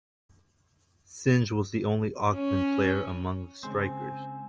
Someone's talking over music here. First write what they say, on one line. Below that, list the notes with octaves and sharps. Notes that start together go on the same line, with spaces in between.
Singe was the only Auckland player among the strikers.
C#4
C#3 G#3 C4 G#5 C6